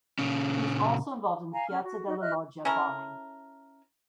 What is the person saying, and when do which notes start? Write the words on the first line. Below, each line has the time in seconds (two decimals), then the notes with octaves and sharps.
He was also involved in the Piazza della Loggia bombing.
0.19 A#2 C#3 C#4
1.52 F5 G#5 A#5
1.68 C#4 F6
1.82 F#4
2.06 D#4 F#4 D#5
2.21 D#5 E5 F6 F#6
2.65 C#4 E4 A4 A#4